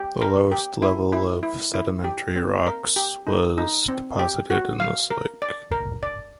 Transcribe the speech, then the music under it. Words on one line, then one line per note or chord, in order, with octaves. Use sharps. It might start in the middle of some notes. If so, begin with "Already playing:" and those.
The lowest level of sedimentary rocks was deposited in this lake.
Already playing: G4
A#4
G4
E4
E4
E4
E4
G4
C4
A#4
G4
D#4
D#4
C4
G4
F#4
F5
A#4
D5
A#4
D5